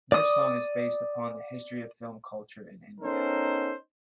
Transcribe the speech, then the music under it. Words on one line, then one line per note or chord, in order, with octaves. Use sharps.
This song is based upon the history of film culture in India.
D5 D#6
B3 C#4 D#4 A4 A#4 C5